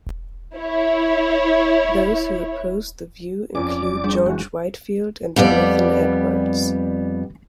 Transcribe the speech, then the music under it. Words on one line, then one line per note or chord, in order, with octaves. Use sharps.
Those who opposed the view include George Whitefield and Jonathan Edwards.
E4 C#5
F2 C#4 D5 D6
G3 D4 G#4
E3 G#3 F#4
F2 G3 B3 D5